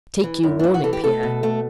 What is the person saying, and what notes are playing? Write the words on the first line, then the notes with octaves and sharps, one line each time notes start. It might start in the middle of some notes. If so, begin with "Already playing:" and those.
Take you warning, Pierre!
E3
F#2
D4
E3 E4
F#4
E3 A4
G4
A3 A4
B2
A3